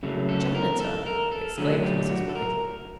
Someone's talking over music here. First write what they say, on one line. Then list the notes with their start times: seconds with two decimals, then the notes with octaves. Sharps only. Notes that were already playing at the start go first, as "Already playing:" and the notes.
"Janitor!" exclaimed Mrs. White.
0.03 C#3 F#3 A3
0.29 A4
0.55 A#4
0.80 A4
1.06 A#4
1.32 A4
1.58 D3 F#3 A3 G#4
1.83 G4
2.10 F#4
2.29 A4
2.35 A#4